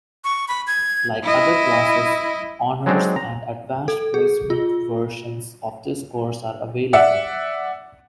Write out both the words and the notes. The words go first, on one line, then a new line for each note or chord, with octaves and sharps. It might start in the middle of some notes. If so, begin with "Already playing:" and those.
Like other classes, Honors and Advanced Placement versions of this course are available.
C#6
B5
G#6
E4 D#5
F#3 G#3 C4 D4 D#4 G4
A#5
A4
G#4
F4
D5 E5 F#5